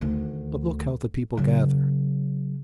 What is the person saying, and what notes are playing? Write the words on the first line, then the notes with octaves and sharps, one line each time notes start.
"But look how the people gather!"
D2 D#3
C#3 F#3